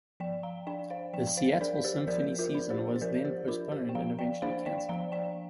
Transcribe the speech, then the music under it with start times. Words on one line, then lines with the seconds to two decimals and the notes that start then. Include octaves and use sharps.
The Seattle Symphony season was then postponed and eventually cancelled.
0.20 F3 D5 G5
0.43 F5 A#5
0.67 D4 D5 G5
0.90 C5 F5
1.13 F3 D5 G5
1.37 C5 F5
1.61 D4 A#4 D5
1.78 D5
1.84 G4 C5
2.07 F3 A#4 D5
2.39 F4 A#4
2.55 D4
2.70 G4 C5
2.96 C5
3.01 F3 A#4 D5
3.25 G4 C5
3.48 D4 F4 A#4
3.71 G4 C5
3.89 G5
3.95 F3 F5 A#5
4.19 D5 G5
4.42 A#3 D4 C5 F5
4.66 D5 G5
4.89 F3 F5 A#5
5.12 D5 G5